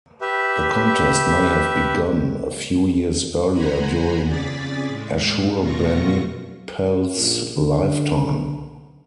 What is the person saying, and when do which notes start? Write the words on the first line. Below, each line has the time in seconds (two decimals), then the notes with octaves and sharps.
The contest may have begun a few years earlier during Ashurbanipal's lifetime.
0.21 G4 B4 E5
3.52 C5 F#5 G#5 A#5 B5
4.24 F2 C#3 G#4 D5 A6 B6
4.87 A2 G#3
5.59 F2 B2 A3 F4 C#6 A#6
7.16 A#1
7.56 D3